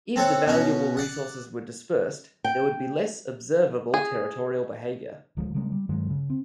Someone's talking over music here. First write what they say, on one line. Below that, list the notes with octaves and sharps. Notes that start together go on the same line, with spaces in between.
If the valuable resources were dispersed, there would be less observable territorial behaviour.
C4 A4 C#5 F#5
B2 C#4 F#4
D5 F#5
G5
G#4
D1 F3 G#3
C#3 G3 G#3 A#3
G3
G2 D#3 F#3 G#3
C#3
C4